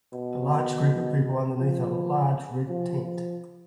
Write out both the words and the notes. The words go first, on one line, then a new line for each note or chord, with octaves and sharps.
A large group of people underneath a large red tent.
B2
F3
F3
F3